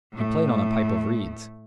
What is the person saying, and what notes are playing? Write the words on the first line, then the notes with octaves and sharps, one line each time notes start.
He played on a pipe of reeds.
A2 A3